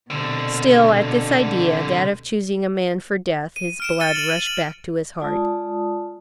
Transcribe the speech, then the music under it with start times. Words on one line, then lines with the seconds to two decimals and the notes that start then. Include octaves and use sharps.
Still, at this idea, that of choosing a man for death, his blood rushed back to his heart.
0.10 C2 B2 D3
3.56 D#7
3.80 F6 D7 E7
4.00 A6 C#7 D#7 G7
4.15 D#7 F#7
4.30 D#7 F#7
4.43 F#7
5.19 G#3 F4 D5 A5 D#6